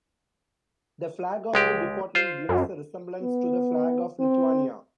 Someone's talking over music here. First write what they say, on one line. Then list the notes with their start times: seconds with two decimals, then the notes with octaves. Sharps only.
The flag of the department bears a resemblance to the flag of Lithuania.
1.54 C#2 G#3 G4
2.15 F4 C5
2.49 F#2
3.22 B3
4.20 C4